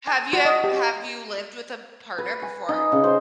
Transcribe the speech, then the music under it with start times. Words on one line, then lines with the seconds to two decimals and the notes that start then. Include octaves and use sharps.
Have you ev have you lived with a partner before?
0.07 G#5
0.33 F#4
0.45 D#5
0.64 G4
2.18 B4
2.42 G#5
2.69 D#4
2.92 C#3
3.04 C5